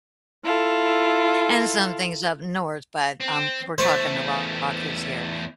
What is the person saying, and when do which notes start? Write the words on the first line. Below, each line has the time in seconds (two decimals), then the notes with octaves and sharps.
and some things up north, but, um, we're talking the Rockies here,
0.43 E4 F4 A4
3.20 C4
3.78 E2 A3 C5 C#6